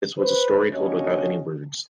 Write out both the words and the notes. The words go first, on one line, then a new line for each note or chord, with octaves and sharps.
This was a story told without any words.
B4 C5
D#2 C#4 D4 F#4 C#5 D#5